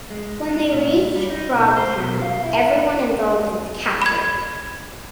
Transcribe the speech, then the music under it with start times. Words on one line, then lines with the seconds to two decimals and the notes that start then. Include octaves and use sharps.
When they reach Frogtown, everyone involved is captured.
0.10 G#3
0.48 D4
0.72 A#2
0.94 G3
1.16 G3
1.30 D#4
1.55 B2
1.76 C5
2.00 B2
2.22 F5
2.44 E4
4.02 B5 G#6